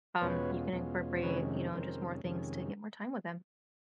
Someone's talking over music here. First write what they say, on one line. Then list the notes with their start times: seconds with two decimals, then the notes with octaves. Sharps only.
um, you can incorporate, you know, just more things to get more time with them.
0.21 E2 B2 G#3 C#4 F4 B4 C#5
0.73 E2 B2 G#3 C#4 F4
1.22 F2 C3 D#3 G#3 C#4 B4 C#5
1.73 F2 C3 D#3 G#3 C#4 A#4 C5
2.24 F2 C3 D#3 G#3 C#4